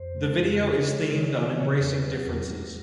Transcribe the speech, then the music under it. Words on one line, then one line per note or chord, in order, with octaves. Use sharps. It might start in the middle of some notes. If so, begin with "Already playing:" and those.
The video is themed on embracing differences.
Already playing: F2 C5
G#3
F2
C#3
G#3 C#5
C#3
D5
E3
C#3 C#5
E2
B4
F#3
E2 A#4
F#3